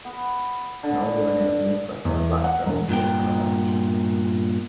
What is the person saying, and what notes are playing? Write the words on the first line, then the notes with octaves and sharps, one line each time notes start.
An old woman in a blue sweater and black dress sits on a bench.
B3
D3
E2
F#5
E1
G2 A#2 B3 G5